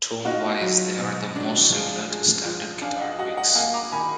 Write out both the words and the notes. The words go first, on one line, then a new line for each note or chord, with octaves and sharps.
Tone wise, they are the most similar to standard guitar picks.
D#4 F4 F#4
F#3
B2
D4
F3 F4 G#4
G#3
F3
D4 F5 G#5
D#5 F#5
F#4 D#5 F#5
D#5 F#5
A#3 F5 G#5
A#5 D6
D#3 G#5 B5